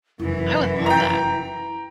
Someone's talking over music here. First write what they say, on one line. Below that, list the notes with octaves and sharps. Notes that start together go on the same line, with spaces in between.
I would love that.
F1 F#2 E3 E4
G5 A#5